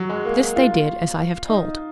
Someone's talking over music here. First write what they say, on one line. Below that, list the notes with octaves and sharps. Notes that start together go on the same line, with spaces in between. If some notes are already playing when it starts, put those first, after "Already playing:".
This they did as I have told.
Already playing: F#3
G#3
A#3
F4
D#4